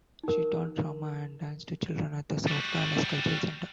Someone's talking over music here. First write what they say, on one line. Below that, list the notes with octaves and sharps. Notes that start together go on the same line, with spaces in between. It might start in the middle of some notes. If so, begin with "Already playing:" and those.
She taught drama and dance to children at the South Dallas Cultural Center.
D#4 A#4
G3 F#4